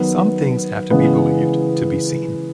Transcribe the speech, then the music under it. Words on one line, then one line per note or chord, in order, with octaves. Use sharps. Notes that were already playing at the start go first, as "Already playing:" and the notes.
Some things have to be believed to be seen.
Already playing: D#3 F#3 B3
C#3 E3 G#3 B3